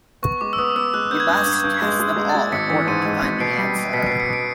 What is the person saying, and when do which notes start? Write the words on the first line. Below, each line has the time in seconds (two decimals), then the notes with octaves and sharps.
We must test them all in order to find the answer.
0.23 B3 C#6
0.41 G#3 D6
0.53 E6
0.58 B3 D#6
0.76 B3 E6
0.94 G#3 F#6
1.11 B3 G6
1.20 G#6
1.29 G2 G6
1.38 G#6
1.46 G2 G6
1.56 G#6
1.64 G2 G6
1.74 G#6
1.82 G#3 G6
2.00 G#3
2.17 G#3
2.29 A6
2.34 G#3 G#6
2.52 G#1 B6 C#7
2.70 E3 B6 C#7
2.87 G#2 C#7 D#7
3.05 G#3
3.23 G#1
3.40 B2 C7 D7
3.54 G3 C7
3.67 B6
3.75 G3 C7
3.93 B2 B6 C#7
4.07 B2 C7 D7
4.20 B6 C#7
4.29 B2 C7 D7